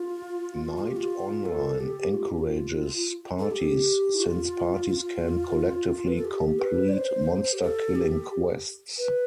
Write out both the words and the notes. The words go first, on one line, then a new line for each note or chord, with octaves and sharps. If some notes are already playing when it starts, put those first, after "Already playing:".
Knight Online encourages parties, since parties can collectively complete monster-killing quests.
Already playing: F4
F4
G4
F4
A4
G4
F4
G4
F4
A4
G4
E4
F4
F4
B4
A4
G4
B4
D5
C5
G4
A4
G4
B4